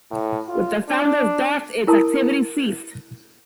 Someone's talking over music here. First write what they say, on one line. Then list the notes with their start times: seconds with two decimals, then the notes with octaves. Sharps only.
With the founder's death, its activities ceased.
0.11 A2
0.48 F4
0.89 D4
1.87 E4 A#4 A5 C6 D#6